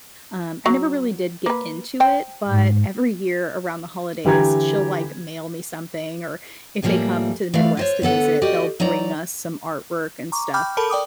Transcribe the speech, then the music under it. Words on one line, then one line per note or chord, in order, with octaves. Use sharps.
Um, I never really did get into it, but every year around the holidays, she'll, like, mail me something or if they come to the Midwest to visit, they'll bring us some artwork and stuff.
F#3
A#3 B4
C5 G5
G#2
D3 E3 G4 A#5 G#6
A2 E3 F3 G3 A3 A#3
E3 A3 D5 F5
F4 C5 C#5
D3 B3 A4 F#5
F#4 G4 D5 D#5
F#3 D#4 D5 A#5
A#5 C#6 D6
G5 B5 D6 F6 G6
A4 A#4 A5 B5
D5 G5 D6 D#6